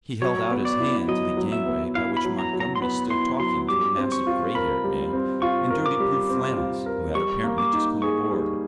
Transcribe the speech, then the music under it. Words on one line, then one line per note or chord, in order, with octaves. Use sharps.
He held out his hand to the gangway by which Montgomery stood talking to a massive grey-haired man in dirty-blue flannels, who had apparently just come aboard.
F#3 C#5
B3
D5
E4
F#3 D#5
F#3
E5
B3
E4 F5
B5
F#3
A#5
F#3
A#5
C6
B3 B5
E4 C6
F#3 C6
G3 D6
C4
C#6
F4
A#4 B5
G3
C4
F4 C#6
A#4
D6
G3
C4
F4
A#4
G3 C#6
A#3
D6
D#4
G#4 C#6
G3